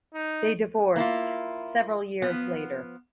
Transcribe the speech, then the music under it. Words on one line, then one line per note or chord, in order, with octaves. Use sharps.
They divorced several years later.
D#4
A#3 E4 F4
F3 B3